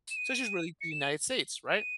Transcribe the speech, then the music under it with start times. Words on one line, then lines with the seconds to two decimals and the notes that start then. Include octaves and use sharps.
So, it's just really the United States, right?
0.10 E7
0.16 D#7
0.81 C#7
0.91 E7
1.02 D#7
1.71 C#7
1.77 D#7